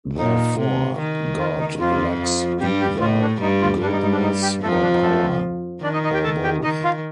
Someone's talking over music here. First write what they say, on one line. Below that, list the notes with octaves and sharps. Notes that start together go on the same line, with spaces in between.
Therefore God lacks either goodness, or power, or both.
A#2 D#4
C3
D#3
F4
D#4
F2 F3 F4
G2 G3 G4
G4
A2 A3 F4
D4
G2 G3 D#4
F4
G2 G3 D4
D#4
D#4
D4
D#4
G4
F2 F3 A3 A4
D#4
D4
D#4
A3 A4
D#3 D4 D5
D#4 D#5
D#4 D#5
G4 G5
A4 A5
G4 G5
D#3 D#4 D#5
F4 F5